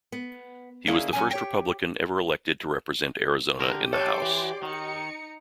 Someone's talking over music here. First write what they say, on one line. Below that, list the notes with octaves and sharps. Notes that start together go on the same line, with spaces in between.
He was the first Republican ever elected to represent Arizona in the House.
B3
D3 A#3 C#4 E4 G#4
F#3 C#4 G#5
G4 C#5 G5
D3 G4 A#4
A4 C#5 D5 C6 D6
E3
D#3 D#4 C#7